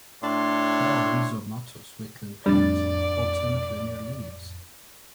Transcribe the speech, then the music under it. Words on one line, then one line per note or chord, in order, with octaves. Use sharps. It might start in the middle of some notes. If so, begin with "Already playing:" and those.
They are rhizomatous wetland plants with alternate linear leaves.
A2 D4 C#5 C6
F2 A2 G3 D4 D5 A6